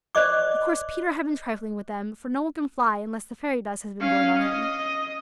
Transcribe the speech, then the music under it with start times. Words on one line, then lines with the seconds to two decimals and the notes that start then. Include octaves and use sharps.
Of course Peter had been trifling with them, for no one can fly unless the fairy dust has been blown on him.
0.15 C5 D5 D#5 C#6 D6
4.00 C#4 F5
4.42 D#5